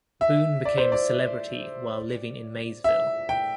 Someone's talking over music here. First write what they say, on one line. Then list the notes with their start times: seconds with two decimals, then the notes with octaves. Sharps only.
Boone became a celebrity while living in Maysville.
0.21 E5
0.65 D5
0.78 C5
0.92 D5
2.84 E5
3.29 G5